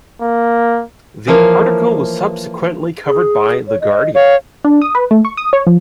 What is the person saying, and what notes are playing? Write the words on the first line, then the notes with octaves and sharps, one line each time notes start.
The article was subsequently covered by "The Guardian".
A#3
E3 F3 A#3 C#5 F5
G#4
C#5
D#5
C#5 F5
D4
D#6
B4
A3
C#6
D#6
C#5
F3